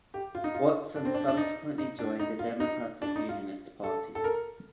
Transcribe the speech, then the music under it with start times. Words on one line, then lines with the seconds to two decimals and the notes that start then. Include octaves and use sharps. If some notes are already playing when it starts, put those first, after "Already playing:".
Watson subsequently joined the Democratic Unionist Party.
0.14 G4
0.35 F4
0.44 D#4
0.55 F4
0.96 D4
1.05 C4
1.14 D4
1.28 D4
1.37 D#4
1.78 D#4
1.99 D4
2.19 D#4
2.39 F4
2.60 D#4
3.02 D4
3.16 D#4
3.29 F4
3.84 A4
4.15 A4
4.24 A#4